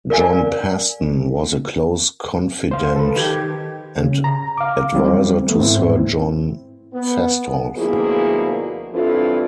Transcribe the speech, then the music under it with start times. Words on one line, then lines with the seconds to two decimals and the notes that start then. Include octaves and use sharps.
John Paston was a close confidante and advisor to Sir John Fastolf.
0.10 A#4 D5 F5 G#5
2.71 C5 F5
2.96 A4 B4
3.16 D#3 G4 G#6
3.99 C#3
4.24 A#5
4.58 F5 D6
4.94 E3 G3 C4
5.46 D#3 A3 B3
5.59 G#2 C4 E4
6.94 B3
7.76 D2 B2 F3 A#3 E4 G#4
8.93 G2 E3 C4 D4 F4 A4